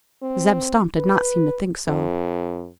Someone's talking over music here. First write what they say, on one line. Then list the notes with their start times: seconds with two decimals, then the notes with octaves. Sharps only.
Zeb Stump did not seem to think so.
0.22 C4
0.97 B4
1.87 F2